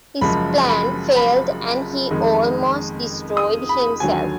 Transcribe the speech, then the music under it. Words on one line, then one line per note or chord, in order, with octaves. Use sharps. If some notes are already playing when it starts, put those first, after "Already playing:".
His plan failed and he almost destroyed himself.
F#1 F#2 F3 G#3 B5
B5
B5
F2 D#3 G#3
D#6
B5
D#2 D3 F#3 G#5